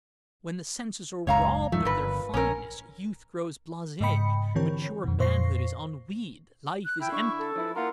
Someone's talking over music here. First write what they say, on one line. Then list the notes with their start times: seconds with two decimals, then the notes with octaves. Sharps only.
When the senses are robbed of their fineness, youth grows blase, mature manhood is ennuied, life is empty.
1.27 F#1 C#2 C#5 F5 A#5
1.72 E2 G#2 F3 A3
1.85 G1 A#2 B4
2.34 A#1 C#4 A#4
4.01 G#2 C#3 D#5 G5 B5 C#7
4.55 D3 E3 C4 G4 A#4 C#5
5.04 F2 B2
5.19 F2 A#2 C5 C#6 A#6 C7
6.85 F#6
7.01 E4 G5
7.12 D3 C#6
7.39 A4
7.56 F3 E4 B4
7.76 A#3 E4 F4 A#4 F#5